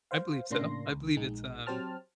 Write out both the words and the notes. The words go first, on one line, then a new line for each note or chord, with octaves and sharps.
I believe so. I believe it's, um
C5 F5
A2 C#3 A#3 D4 C6 A#6
C#2
A#1 G#3 D#4
F#3 C4 G4 C5 A5 F6